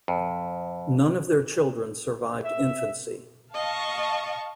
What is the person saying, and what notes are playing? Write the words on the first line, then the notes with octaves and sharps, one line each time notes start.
None of their children survived infancy.
F2
E5
D#5 F5 A5 C#6